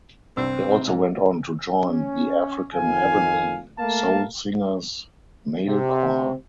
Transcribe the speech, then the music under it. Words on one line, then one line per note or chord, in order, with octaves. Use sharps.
He also went on to join the African Heavenly Soul Singers male choir.
C2 G2 C4 E6
C3
G#2
C#4
F2 D#3 F5 G#5
A3 A#3 A#4 F5 A5
C3